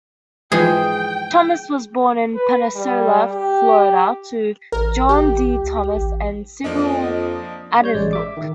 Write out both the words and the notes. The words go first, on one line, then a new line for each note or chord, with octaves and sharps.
Thomas was born in Pensacola, Florida, to John D. Thomas and Sibyl Addenbrooke.
G#2 E3 F3 G#3 F4 G#4 G5
B4
G3
G4
A1 A#4
G4
C#2
A1
F2 F3 A#3 D4 D#5
G3 C#5 G6
A1 G#3 D5
E5 D6
D#3